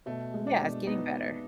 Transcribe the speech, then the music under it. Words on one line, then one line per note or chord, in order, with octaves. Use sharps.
yeah, it's getting better.
B2 A3
G#3
D4
B2
B3 D#4